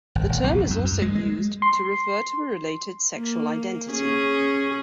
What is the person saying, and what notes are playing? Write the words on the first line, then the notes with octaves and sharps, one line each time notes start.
The term is also used to refer to a related sexual identity.
G#1
D#1
B1
F2
F#2
F#2
G#3
G#3
C6
A#3
C#4 G#4